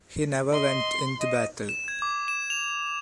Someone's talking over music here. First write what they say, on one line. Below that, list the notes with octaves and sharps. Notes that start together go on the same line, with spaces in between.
He never went into battle.
D#5 C6
D#5
E7
G#6
D6
E7
F7